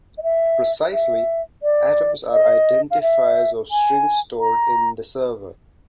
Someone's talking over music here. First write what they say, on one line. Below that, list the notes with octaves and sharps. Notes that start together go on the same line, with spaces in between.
Precisely, atoms are identifiers of strings stored in the server.
D#5
E5
E5
D5
D#5
F5
E5
G#5
A#5